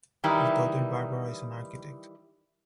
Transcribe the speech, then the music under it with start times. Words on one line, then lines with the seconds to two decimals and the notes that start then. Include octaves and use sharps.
His daughter Barbara is an architect.
0.24 D#3 E3 G3 D#4 E4